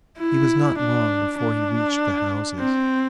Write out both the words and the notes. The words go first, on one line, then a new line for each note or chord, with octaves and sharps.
He was not long before he reached the houses.
E4
D4
D4
C4